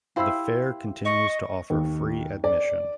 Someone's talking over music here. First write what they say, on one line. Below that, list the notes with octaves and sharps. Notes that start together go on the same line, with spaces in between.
The fair continues to offer free admission.
E4 G4 C5 F5 B5 E6
D#5 C#6
D#2
D5